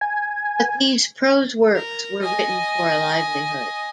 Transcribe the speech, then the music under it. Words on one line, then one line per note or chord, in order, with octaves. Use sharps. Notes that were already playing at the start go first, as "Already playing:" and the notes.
But these prose works were written for a livelihood.
G#5
A#4
D#5 G#5